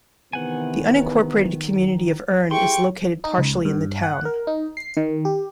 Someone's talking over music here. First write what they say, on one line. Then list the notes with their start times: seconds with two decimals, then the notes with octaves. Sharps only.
The unincorporated community of Urne is located partially in the town.
0.33 C3 D#3 E3 B3 F#5 G#5
2.51 E4 G4 G#4 G5 C6 C#6
3.24 D#4
3.38 C#2
3.65 G2
4.03 F#5
4.25 A#4
4.47 D#4
4.77 C7
4.97 D#3
5.25 G4